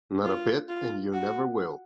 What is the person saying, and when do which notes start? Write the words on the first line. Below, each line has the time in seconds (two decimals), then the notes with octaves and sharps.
Not a bit, and you never will.
0.25 F4
0.69 F4
1.13 F#4